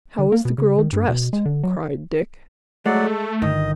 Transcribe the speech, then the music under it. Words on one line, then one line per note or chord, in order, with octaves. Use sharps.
"How was the girl dressed?" cried Dick.
D3
A#3
B2
C#3
D#3
G2
B2
G#3
D3
F#3
F#3 G#3 A3 D5 F#5
A4
G1 D#3 D#5